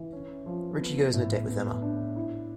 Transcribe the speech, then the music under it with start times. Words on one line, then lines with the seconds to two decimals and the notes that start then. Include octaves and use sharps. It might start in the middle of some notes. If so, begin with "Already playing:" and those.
Richie goes on a date with Emma.
Already playing: E3
0.12 C#4
0.46 F3
0.79 B3
1.13 A2
1.48 B3
1.82 D4
2.16 E4